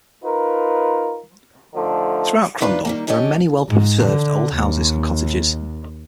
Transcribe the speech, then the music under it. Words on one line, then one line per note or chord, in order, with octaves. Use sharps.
Throughout Crondall there are many well-preserved old houses and cottages.
D#4 F4 A#4 B4
D3 F3 A3 D#4
C3 D#3 D4 F4 B4
D#3 G3 A#3
C#4 D4 G4 C#5 D#5
G#2
D3
D#2